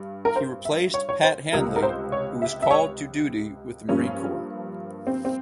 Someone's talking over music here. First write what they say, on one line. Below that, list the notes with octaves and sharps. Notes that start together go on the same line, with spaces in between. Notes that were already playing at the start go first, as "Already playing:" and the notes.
He replaced Pat Hanley who was called to duty with the Marine Corps.
Already playing: G2
A#4
C5
E5
C#5
C#5
C5
C#2 C3 G3 A#4
A#4
C5
C#5
E5
E5
C#5
G2 F3 A#3 C#4
C4
C4